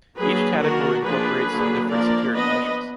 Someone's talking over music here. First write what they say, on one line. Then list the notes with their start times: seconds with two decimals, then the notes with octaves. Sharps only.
Each category incorporates some different security measures.
0.17 F#3 A#3 D4 G#4 B4
0.60 D#3 A#3 D4 F#4 A#4
1.04 F3 A#3 D4 G#4 B4
1.47 D3 F#3 A#3 D4
1.90 F3 A#3 D4 A#4 D5
2.33 F3 B3 D4 B4 D#5